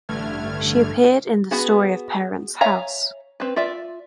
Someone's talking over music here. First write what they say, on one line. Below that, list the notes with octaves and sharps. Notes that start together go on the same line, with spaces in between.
She appeared in "The Story of Parents House".
A1 G2 D3 A3 F6 G#6
B3 F#4 G#4
C#5 E5 F5 G#5 A#5
C4 B4
F4 D5 E5